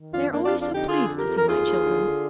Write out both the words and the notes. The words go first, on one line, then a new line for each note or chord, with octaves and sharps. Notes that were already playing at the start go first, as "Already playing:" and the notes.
They are always so pleased to see my children.
Already playing: D#3
F2 D4 F4
F2 A#3 D4
F2 D4 F4
D4 F4
D3 D#4 G4
D3 F4 G#4
F2
G4 A#4
F2
A#4
D#2 F4 G#4
D#2
D3
D3